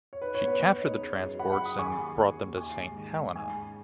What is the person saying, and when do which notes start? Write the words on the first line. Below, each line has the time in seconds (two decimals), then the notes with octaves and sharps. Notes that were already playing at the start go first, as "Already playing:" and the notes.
She captured the transports and brought them to Saint Helena.
0.13 C#5
0.21 D#4 B4
0.35 C#5
0.41 B3
0.48 B4
0.61 B3 C#5
0.81 D#4
1.01 C#3
1.20 F#2
1.39 C#3 F#5 B5
1.52 F#5 B5
1.59 C#3
1.65 B5 D#6
1.79 D#3 G#5 C#6
1.98 D#2
2.18 D#2
2.37 D#2
2.57 D#3 G#5 C#6
2.77 G#2
2.97 D#3
3.17 G#2
3.36 D#4 G#5 C#6
3.56 C#3